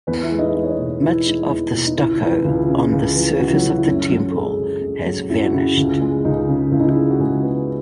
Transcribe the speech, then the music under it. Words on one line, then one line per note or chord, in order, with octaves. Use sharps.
Much of the stucco on the surface of the temple has vanished.
E2 B3 B4
E4 E5
G#3
D#4 D#5
E2 D#5
C#5
D#4 D#5
B2
E2 E4
G#3 D#4
E2 E4
B2
D#4
C#2 E4
E3 E4
C#2 E4
C#3
C#2
E3
C#2 F#4
E4
F#3 F#4
C#3
E4
F#2 F#3 F#4
F#3 F#4
A4
F#2 G#3 G#4
C#3
F#2
F#3
F#2 E4
F#4
C#3 E4
C#2
G#3
C#2 D#4
C#3
C#2 E4
D#4
E4
G#3
F#4
C#2 G#3 G#4
C#3 B3 B4